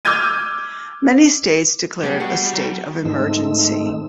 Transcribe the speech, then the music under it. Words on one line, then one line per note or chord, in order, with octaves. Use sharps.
Many states declared a state of emergency.
D6 E6 F6 G6 G#6 D#7
G3 B3 D4
F#4 G#4 F#5
F#3
G#2 D#3 A3 C4 D#4 E6